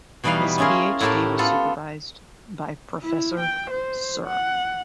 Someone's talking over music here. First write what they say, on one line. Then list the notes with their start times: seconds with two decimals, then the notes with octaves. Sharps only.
His PhD was supervised by Professor Sir.
0.24 B2 E3 G3 D#4 B4 F5
0.58 C#4 E4 F4 G#4 A#4
1.01 A2 E4 F#4 G4 A#4 A5
1.39 B3 F4 A4
3.02 E4
3.40 G5
3.70 C5
4.26 F#5